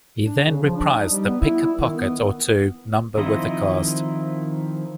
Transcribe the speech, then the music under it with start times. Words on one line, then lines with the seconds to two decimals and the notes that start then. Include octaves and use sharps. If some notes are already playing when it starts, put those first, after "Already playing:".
He then reprised the "Pick a Pocket or Two" number with the cast.
0.22 D4
0.45 C#3
0.62 F3
0.76 D4
0.92 D#4
1.10 G3
1.27 B3
1.41 E4
1.62 E4
1.79 D#3
1.96 B3
3.17 D#3 F3 C4 E4 D#5